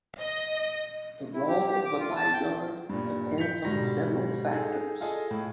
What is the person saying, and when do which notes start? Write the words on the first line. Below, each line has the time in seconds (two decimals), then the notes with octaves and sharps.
The role of a bodyguard depends on several factors.
0.19 D#5
1.34 E4
1.48 G4
1.71 G4
1.85 D6
1.99 F4
2.16 A5
2.33 G5
2.89 G2 A#2
3.38 G6 B6 C#7 F7
3.65 G#2 B2 D3 G3 A#6
4.51 D#4 G#4 A4
5.01 F4 G#4 A4 D#5
5.31 A2